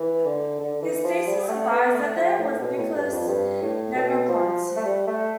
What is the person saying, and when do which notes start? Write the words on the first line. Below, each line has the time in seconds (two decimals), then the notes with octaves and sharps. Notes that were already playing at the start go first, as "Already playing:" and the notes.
His thesis advisor there was Nicholas Negroponte.
Already playing: E3
0.26 D3
0.60 D3
0.82 E3
1.04 F3
1.27 G3
1.49 A3
1.71 B3
1.94 A3
2.16 F3
2.39 A2
2.62 B2
2.78 A2
2.95 G2
3.12 F2
3.28 G2
3.62 A2
3.95 B2
4.29 F3
4.76 A3
4.85 G3
5.07 A3